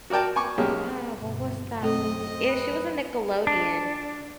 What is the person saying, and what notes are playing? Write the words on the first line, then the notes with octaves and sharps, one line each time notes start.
Uh, what was that movie? Eh, she was a Nickelodeon,
F#4 A#4 D5 G5 A5
G#5 B5 C#6 D6
B1 G#3 A#3 C#4 G4 G#4
G1 B2
F#2 A3 C4 A4 D#5
B4
D4